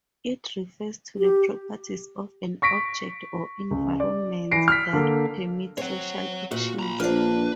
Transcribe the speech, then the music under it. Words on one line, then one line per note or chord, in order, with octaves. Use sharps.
It refers to the properties of an object or environment that permit social actions.
G4
C#6 A#6 B6 D7
C#2
D5
E3 B5 A#6 C7 D7
F6 B6
D3 A#3 A4
C4 C#5 F#5
A#2 F#4
A#5 B5
A#1 A#3 D4 F4 B4 C5